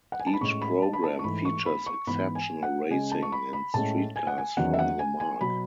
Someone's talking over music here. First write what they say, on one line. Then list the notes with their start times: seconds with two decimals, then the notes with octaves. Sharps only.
Each program features exceptional racing and street cars from the marque.
0.12 F#5
0.20 G#5
0.27 A5
0.33 B5
0.41 A2 G#3 C#4 C#6
0.61 B5
0.82 A5
0.93 B5
1.03 A5
1.19 C#6
1.24 G#2 E3 A3 B5
1.45 C#6
1.66 B5
1.86 C#6
2.07 G#2 E3 B3 B5
2.35 G#5
2.63 F#5
2.91 C#3 G#3 C#4 G#5
3.12 A5
3.23 C#6
3.32 B5
3.53 B5
3.74 A2 G#3 C#4 A5
4.16 G#5
4.27 F#5
4.38 G#5
4.57 E2 D#3 F#3 C#4 F#5
4.74 E5
4.79 F#5
4.99 G#5
5.20 G#5
5.41 B2 F#3 B3 B5